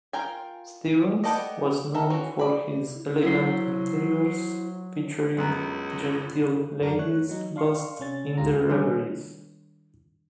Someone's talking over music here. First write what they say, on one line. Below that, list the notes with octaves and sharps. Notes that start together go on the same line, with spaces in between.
Stevens was known for his "elegant interiors featuring genteel ladies lost in their reveries".
F4 A#4 G5 G#5
B3 G4 A4 D5 D#5
A4 A#4 E5
E3 C#4 F#4
D5 B5
F#3 E4 C5
C#2 F#2 B3 A#5
F#2 F#3 D4 F#4 A#4
A3 C#5 F#6
F#3 D#4
D4 F5 C6 C#6
C3 C#4 A6
D2 G#2 D3 F4 G4 A#5
D#3 G3 D4 A4 C#5 G#5